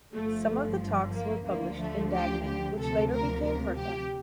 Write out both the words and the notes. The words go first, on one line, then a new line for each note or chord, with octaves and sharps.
Some of the talks were published in "Dagny" which later became "Hertha".
G1 G2 F3 A3
A#3
D2 D3 F3 A#3
A3
G4
G4
D2 C3 F3 A4
A#4
A#4
G4